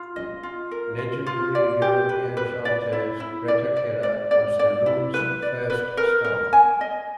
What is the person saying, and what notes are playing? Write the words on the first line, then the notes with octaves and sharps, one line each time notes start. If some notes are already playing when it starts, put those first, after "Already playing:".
Legendary European chanteuse Greta Keller was the room's first star.
Already playing: F4
D#5
F4
A#4
F4
F4
D5
G4
B4
B4
D5
E4
E4
D5
D5
D5
D5
D5
E4
B4
D5
B4
A#4
A#4
G#5
D#5